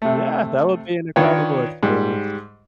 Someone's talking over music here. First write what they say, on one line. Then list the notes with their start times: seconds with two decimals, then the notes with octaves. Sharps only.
Yeah, that would be an incredible experience.
0.02 C3 A3
1.16 D#3 D4 F4 A#4 B4 C#5
1.83 G#2 G3